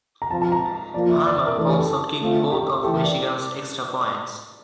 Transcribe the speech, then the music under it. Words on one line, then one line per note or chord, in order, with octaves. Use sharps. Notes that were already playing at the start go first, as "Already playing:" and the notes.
Harmon also kicked both of Michigan's extra points.
A#5
F3 C4 F4 A5
A5
A#5
F3 A#3 F4 D5
E5
D5
E5
A#4
E3 A3 D4 A4
G4
A4
A4
D3 A3 C4 F4
G4
G4
E3 A3 E4 G4 A4
A#4
D5